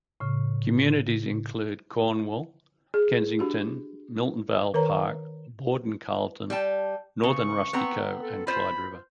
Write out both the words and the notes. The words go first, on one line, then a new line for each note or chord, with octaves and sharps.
Communities include Cornwall, Kensington, Miltonvale Park, Borden-Carleton, North Rustico and Clyde River.
A2 C#3
G#4
D4 F#4 G4
D#3 A#4 B4 C#5 A#5
G3 G5 A5
C#3 C#6
B3 C4 A#5
A4
F4 C5 B5